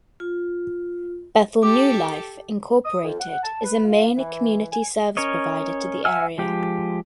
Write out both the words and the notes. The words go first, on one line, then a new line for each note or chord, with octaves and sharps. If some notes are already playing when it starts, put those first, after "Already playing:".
Bethel New Life, Incorporated is a main community service provider to the area.
F4
G4 A4 D6
D#6
F2
F#5
A5
B4
F4
E3
G#5
C#4 A#4 C#5 D#5
E5 F#5 G#5 E6 F6
F3 G#3 G4